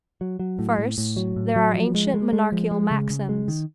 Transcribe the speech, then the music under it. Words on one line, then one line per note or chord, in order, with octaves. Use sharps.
First, there are ancient monarchical maxims.
F#3
F#3
A2
A2
A2
F#3
A2
F#3
F3
G#3
G#3
G#3
F3
G#3
C#3
C#3
G#3
D#3